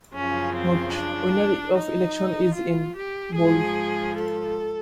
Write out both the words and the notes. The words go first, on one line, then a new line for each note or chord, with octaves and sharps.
"Note: Winner of election is in" bold.
F#2 C#3 F3 C#4
C4
D4
D#4
F4
G4
G#2 F3 G#4
A4